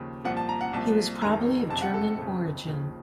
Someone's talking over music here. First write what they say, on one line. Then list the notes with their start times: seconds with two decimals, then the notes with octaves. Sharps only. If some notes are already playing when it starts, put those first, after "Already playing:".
He was probably of German origin.
Already playing: D#2 C#3 F3
0.25 C2 A#2 F3 F#5
0.37 A5
0.49 A#5
0.61 F#5
0.73 C2 A#2 F3 A5
1.21 F1 F2 D#3 A#5
1.69 F#1 F2 C3 A5
1.82 F#5
1.94 A4
2.18 F#1 F2 C#3
2.67 D#2 C#3 F3